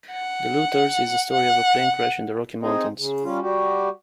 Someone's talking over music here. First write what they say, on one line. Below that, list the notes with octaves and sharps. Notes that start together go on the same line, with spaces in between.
"The Looters" is the story of a plane crash in the Rocky Mountains.
F#5
F#5
C4 D#4 G#4 D#5
C#3
G3 C#4 F4
G3 F#4 G4